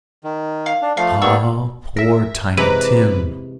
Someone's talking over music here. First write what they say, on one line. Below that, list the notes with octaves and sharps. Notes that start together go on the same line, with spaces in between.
Ah, poor Tiny Tim!
D#3
F5
D4
F3 A3 F5
G3 A#3 B3 D4 C#6 E6
A#4 E5 A#6
C3 E3 G#3 B4 A#5 D6